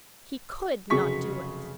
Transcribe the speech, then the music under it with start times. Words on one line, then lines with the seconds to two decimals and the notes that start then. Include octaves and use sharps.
He COULD not do it!
0.90 F1 C#3 F#3 G#4 C#6 B6